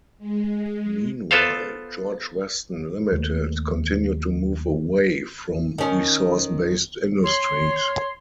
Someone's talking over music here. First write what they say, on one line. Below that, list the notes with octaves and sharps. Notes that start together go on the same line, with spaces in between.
Meanwhile, George Weston Limited continued to move away from resource-based industries.
G#3
B3 F4 A4 C5 F5
D#2 A3 A#3
D#3 C#4
C#5 C6